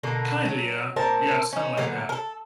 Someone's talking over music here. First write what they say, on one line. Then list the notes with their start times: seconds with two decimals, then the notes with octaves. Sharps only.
Kinda, yeah. Yeah, it's kinda like that,
0.03 B2 D3 A#3
0.45 F#3
0.96 A#2 C4 A#4 A5
1.53 C#4 D#4
1.77 A#2 D3 F#3 B3
2.09 A4 A#4